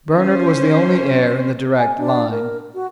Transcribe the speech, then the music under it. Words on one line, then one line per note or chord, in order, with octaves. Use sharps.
"Bernard was the only heir in the direct line."
C#4 C5
G#5
D4
A#4
F#4